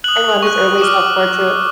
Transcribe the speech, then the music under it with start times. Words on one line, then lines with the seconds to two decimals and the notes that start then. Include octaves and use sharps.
I love his early self-portraits.
0.04 D#6 F#6 F#7
0.42 C#6 F#6
0.82 D6 F6